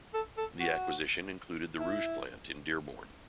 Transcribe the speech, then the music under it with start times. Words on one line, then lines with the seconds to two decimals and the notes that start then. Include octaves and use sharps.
The acquisition included the Rouge Plant in Dearborn.
0.13 A4
0.37 A4
0.60 F#4
1.77 E4